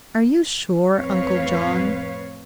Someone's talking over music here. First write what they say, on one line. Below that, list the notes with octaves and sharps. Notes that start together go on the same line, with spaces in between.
"Are you sure, Uncle John?"
F2 A2 C4 B4 C#5 F5